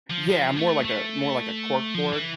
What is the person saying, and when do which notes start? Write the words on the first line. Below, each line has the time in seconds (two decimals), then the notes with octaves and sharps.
Yeah, more like a more like a corkboard.
0.11 F3
0.29 F3
0.57 A3
0.85 A3
1.94 F3
2.13 E3